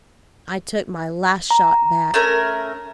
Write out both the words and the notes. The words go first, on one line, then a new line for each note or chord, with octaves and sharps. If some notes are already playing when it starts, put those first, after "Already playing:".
I took my "Last Shot" back.
A#5
A3 C#4 A#4